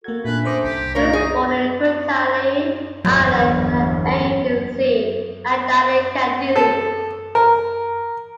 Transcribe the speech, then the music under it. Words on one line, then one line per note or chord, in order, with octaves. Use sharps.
He was born in Kutali Island in the Aegean Sea and died in Kandilli.
A#3 F#4 A4 G#6
A#2 A3 C#4 D4 B4
D#4 C5 D6
C2 G4 B6
A#2 A3 A#3 A#4 C#5 A#5
E3 G#4
G1 E2 F#3
A4
A#4